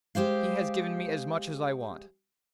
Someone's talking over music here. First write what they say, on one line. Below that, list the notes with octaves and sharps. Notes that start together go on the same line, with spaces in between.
He has given me as much as I want.
G#3 G4 C5 F5